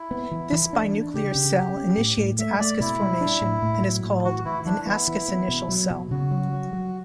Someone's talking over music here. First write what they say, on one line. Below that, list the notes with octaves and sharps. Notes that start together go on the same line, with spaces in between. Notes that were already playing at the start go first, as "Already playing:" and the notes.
This binuclear cell initiates ascus formation and is called an "ascus-initial" cell.
Already playing: E4
B3
E3
E3
D4
D4
C#3 G4
C#3
C#4
C#4
A2
A2
A3 E5
A3 D5
B2 E4
G3
D4
A2
A2
F#3
A2
E3 F#4
E3 E4
E3 D4
B3 E4
E3
B3
B2
F#3
B2
C#3 F#4
F#3
F#3
F#3